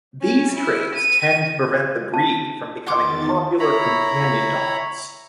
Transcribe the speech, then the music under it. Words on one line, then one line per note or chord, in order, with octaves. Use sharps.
These traits tend to prevent the breed from becoming popular companion dogs.
C#4
E4
D#7
A5
E2 D#3 F#5 C6 D6 A6
E4 C#5 A#5 B5